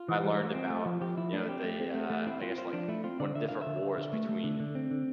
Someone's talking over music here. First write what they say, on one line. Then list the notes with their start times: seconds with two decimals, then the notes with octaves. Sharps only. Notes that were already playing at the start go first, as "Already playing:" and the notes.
I learned about, you know, the, uh I guess, like, when different wars between,
Already playing: F4
0.08 E3
0.24 G3
0.39 A3
0.55 C4
0.70 A3
0.85 F3
1.01 F3 G4
1.17 F3 E4
1.33 A3 D4
1.48 C4 G4
1.64 A3
1.80 C4
1.94 A3
2.10 A3
2.26 C4 E4
2.42 C4 F4
2.58 C4 F4
2.73 F3 D4
2.88 A3 E4
3.04 C4 F4
3.20 D3 D5
3.35 D3 E5
3.49 D3 F5
3.62 D3 E5
3.82 D3
3.98 D3
4.13 A3
4.29 A3
4.44 D3
4.60 D3
4.75 C4
4.91 D3